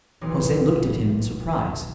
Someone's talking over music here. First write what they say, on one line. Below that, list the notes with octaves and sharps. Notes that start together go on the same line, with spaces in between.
Jose looked at him in surprise.
D#1 B1 E3 F#3 D#4 C6